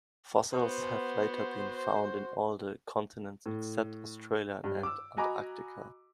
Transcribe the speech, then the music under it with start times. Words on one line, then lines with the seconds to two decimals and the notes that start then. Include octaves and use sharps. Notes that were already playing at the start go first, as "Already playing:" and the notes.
Fossils have later been found in all continents except Australia and Antarctica.
0.53 B3 F#4 C5
3.46 A2
4.64 G2
4.83 D6 E6
5.17 F#4 D#5 G#5 A#5 B5 D6